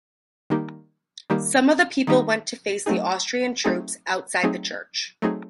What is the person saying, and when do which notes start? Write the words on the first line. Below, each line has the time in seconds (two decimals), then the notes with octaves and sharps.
Some of the people went to face the Austrian troops outside the church.
0.50 D#3 G3 A#3 D#4 G4
1.30 D#3 G3 A#3 D#4 G4
2.07 D#3 G3 A#3 D#4 G4
2.86 F#3 A3 C4 D#4 G#4
3.64 F#3 A3 C4 D#4 G#4
4.43 F#3 A3 C4 D#4 G#4
5.22 F#3 A3 C4 D#4 G#4